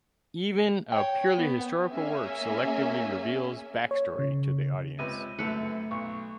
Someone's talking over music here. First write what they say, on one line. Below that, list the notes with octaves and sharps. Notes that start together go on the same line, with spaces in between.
Even a purely historical work selectively reveals backstory to the audience.
C#5 G5
B3
A#3 C#4 G#4 E5 G#5
C#5
C#3
C#2 C3 B4 D#7
C2 F#2 A3 B4 C#7
B1 C#6